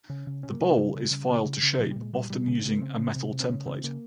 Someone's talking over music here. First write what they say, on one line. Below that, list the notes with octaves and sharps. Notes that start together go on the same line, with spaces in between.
The bowl is filed to shape, often using a metal template.
C#3 C#4
C#3
C3 C#4
A#3
C3 G#3
A#3
C#3 G3
C#3
C#3
C#3
C#3
C#3
A#2 F3
A#2 G3
G#3
A#2 G3
A#2 G3
C#3 G#3
G#3
C#3
A#3
C#3 C4
C#3
C3
C3
C4
C#3 C#4
C#3 C4
C#3 A#3